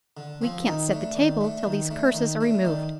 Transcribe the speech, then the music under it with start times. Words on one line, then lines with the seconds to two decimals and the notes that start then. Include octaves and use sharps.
We can't set the table till these curses are removed.
0.17 D3
0.42 F3 C4
0.66 D#3 D#4
0.91 A3 D4
1.15 D#3 D5
1.41 A3 D4
1.65 D#3
1.90 A3 D4
2.14 D#3
2.41 A3 D4
2.65 D#3 D5